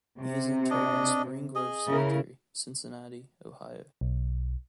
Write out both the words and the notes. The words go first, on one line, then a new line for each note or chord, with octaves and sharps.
He is interred in Spring Grove Cemetery, Cincinnati, Ohio.
C3
D4 D#5
G#4 D#5
C#3 E4 A#4
B1